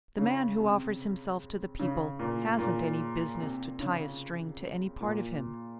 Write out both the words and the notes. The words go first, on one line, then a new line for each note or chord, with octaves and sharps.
The man who offers himself to the people hasn't any business to tie a string to any part of him.
C#3
C3
C#3
A#2
A#2
C3
C#3
A#2